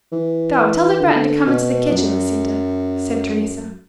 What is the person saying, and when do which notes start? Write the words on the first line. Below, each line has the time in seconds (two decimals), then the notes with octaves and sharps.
"Go, tell the Breton to come into the kitchen, Lisita," said Teresa.
0.12 E3
1.01 D3
1.46 B2
1.91 F#2